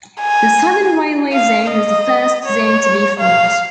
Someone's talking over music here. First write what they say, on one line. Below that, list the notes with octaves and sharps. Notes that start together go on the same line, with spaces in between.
The Southern Railway zone was the first zone to be formed.
G#5
F5
D#5
C#5
F5